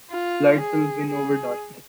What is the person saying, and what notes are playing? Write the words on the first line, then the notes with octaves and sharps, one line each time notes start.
Light will win over darkness.
F4
G#4
G#4